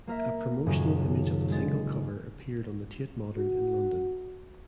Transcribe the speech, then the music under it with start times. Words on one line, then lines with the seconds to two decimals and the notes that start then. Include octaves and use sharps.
A promotional image of the single cover appeared on the Tate Modern in London.
0.07 A#3 A#4 E5
0.66 D#1 F#2 C#3 G#4
1.51 G#3 A6
3.37 F#4